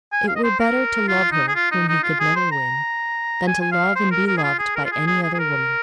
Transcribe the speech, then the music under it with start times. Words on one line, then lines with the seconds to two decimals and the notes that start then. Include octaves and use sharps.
It were better to love her, whom he could never win, than to love and be loved by any other woman.
0.12 G#5
0.28 F5
0.36 D#5
0.44 C5
0.60 A#4
1.08 F4
1.32 D#4
1.48 G#4
1.55 F4
1.71 D#4
1.88 D#4
2.03 F4
2.20 G#4
2.36 C5
2.52 A#5
3.48 G#5
3.61 G#5
3.72 F5
3.96 C5
4.11 A#4
4.27 A#4
4.37 G#4
4.44 F4
4.59 G#4
4.76 A#4
4.85 F4
4.92 G#4
5.07 G#4
5.23 G#4
5.34 G#4
5.39 A#4